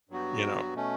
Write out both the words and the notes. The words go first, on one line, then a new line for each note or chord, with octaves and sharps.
you know?
G2 F#3 B3 F#4
B2 A3 C#4